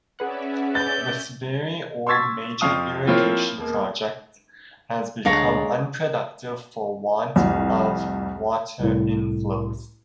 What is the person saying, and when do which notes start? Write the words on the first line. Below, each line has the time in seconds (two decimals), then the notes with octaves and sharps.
This very old major irrigation project has become unproductive for want of water inflows.
0.19 C#4 G#4 B4 D5 E5 F#5
0.75 G6 A6
2.07 C6 C#6 E6 G#6 A6 B6
2.61 F2 F3 F5 C#6 D#6
3.07 F3 A#3 C4 E4 F4 C#5
3.57 E1 A#3
5.25 D2 G#3 D4 A4 C#5 F5 A#5
7.36 C2 F2 A2
8.80 C2 A2